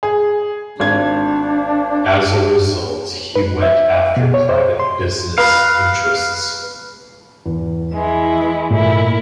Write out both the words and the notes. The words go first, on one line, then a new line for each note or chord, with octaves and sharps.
As a result, he went after private business interests.
G#4
G#1 D4 G#6
B4
E5
B2
C#5
C5
C6
B4 D#5 F5 B5
E2
E3 G#3 E4
A#2 A3 E4 A#4